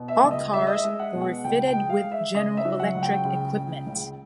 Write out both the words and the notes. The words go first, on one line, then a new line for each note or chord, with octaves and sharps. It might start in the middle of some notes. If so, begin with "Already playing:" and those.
All cars were refitted with General Electric equipment.
Already playing: B2
E5
C#2
D#5
G#3 E5
D#5
E5
G#3
F#5
B2
F#5
C#2 G5
G5
G#3
F5
G#3
E5
C#3 D#5
E5
F#3
F#5
C#2
G5
C#3
C#2
C#2